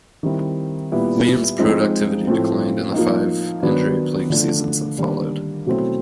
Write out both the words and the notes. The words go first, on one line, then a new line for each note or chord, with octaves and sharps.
Williams' productivity declined in the five injury-plagued seasons that followed.
D#3 G3 C4 E4
A#2 G3 B3 E4
F3 G#3 C4 D#4
A2 F3 A3 C4
F3 A#3 D#4
D#3 F#3 B3 D4
D3 F3 A3 D4
D#3 G3 A#3 D4
B2 F#3 A3 C4 E4